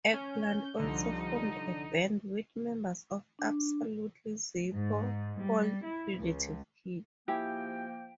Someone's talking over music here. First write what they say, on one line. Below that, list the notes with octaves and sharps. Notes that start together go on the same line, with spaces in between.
Eggplant also formed a band with members of "Absolutely Zippo" called Fugitive Kind.
C#4 G6
C2 D3 F3 G3 D#4
D4
G#2
G3
E4
C#2
F3 A#3 E4 G4 G#4 G5